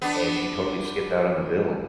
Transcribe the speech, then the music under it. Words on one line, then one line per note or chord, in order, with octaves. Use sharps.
and she totally skipped out on the bill,
B3 D4